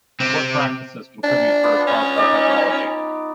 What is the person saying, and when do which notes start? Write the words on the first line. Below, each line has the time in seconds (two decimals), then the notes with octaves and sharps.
What practices contribute to responsible technology?
0.20 C3 C4
1.23 D4
1.63 B3 F4 D5
1.87 C#4
2.16 D#4 D5 D#5